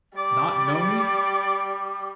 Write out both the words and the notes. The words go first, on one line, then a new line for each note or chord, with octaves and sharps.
Not know me!
G3 D5 D6